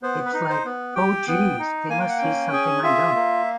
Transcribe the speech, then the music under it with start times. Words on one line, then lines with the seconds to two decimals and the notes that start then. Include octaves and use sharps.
It's like 'oh geez they must see something I don't'.
0.02 B3 C5
0.25 B4
0.34 D#4
0.50 C5
0.65 B3
0.96 G4 G5
1.27 B3
1.59 D#4
1.89 A#3 G#5
2.00 G5
2.08 F#5
2.18 C#4 G5
2.53 G#4
2.83 F4 E5
3.15 A#3